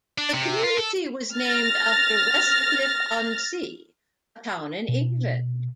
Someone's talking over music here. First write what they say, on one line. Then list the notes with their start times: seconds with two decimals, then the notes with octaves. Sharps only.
The community was named after Westcliff-on-Sea, a town in England.
0.18 D4
0.34 C3
0.63 F4
0.77 A4
1.36 F6 A6 A#6
4.89 B2